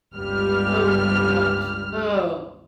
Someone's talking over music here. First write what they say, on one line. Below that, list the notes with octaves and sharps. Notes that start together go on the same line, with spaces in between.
Oh my gosh. Oh.
G1 C#2 G3 F6